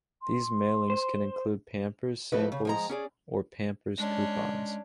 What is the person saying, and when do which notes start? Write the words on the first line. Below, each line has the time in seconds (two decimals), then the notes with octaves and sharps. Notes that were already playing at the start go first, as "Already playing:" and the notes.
These mailings can include Pampers samples or Pampers Coupons.
0.22 C6
0.90 C5
2.32 F3 A3 E4 B4 D#5
2.52 C#3
2.65 F3 G#3 A#5
2.89 C#4 G#4 D5
3.98 G#3 C#4 D4